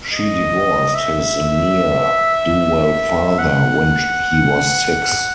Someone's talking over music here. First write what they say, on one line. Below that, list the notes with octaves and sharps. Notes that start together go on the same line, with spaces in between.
She divorced his ne'er-do-well father when he was six.
D#5
E5
F#5